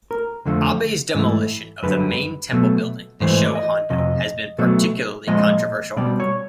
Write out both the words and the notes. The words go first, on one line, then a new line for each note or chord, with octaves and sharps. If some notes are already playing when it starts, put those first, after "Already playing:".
Abe's demolition of the main temple building, the Sho Hondo, has been particularly controversial.
A#4
F2 D3 F3 A3
G#2 E3 A3
F#2 D3 G3 B4
B2 F#3 A3
G#2 E3 A3 C5
D5
D#5
F2 C3 D#5
B2 F#3 A3
A#2 F3 G#3 D#5
B2 G3 D5
C#5